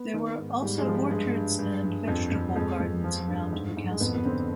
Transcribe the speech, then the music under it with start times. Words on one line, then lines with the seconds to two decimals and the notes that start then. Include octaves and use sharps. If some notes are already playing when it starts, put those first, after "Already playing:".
There were also orchards and vegetable gardens around the castle.
Already playing: B3
0.14 D#3
0.38 G#2
0.62 G#2 G3
0.78 G#3
0.86 F3
0.94 G3
1.11 G2 G#3
1.35 G2
1.59 G2
1.84 G2
2.07 F2
2.31 F2
2.55 F2 G#3
2.80 F2
3.04 F3
3.28 G2
3.53 G#2
3.77 G#2
3.91 G#3
4.00 F2 B3
4.15 B3
4.25 D3 C4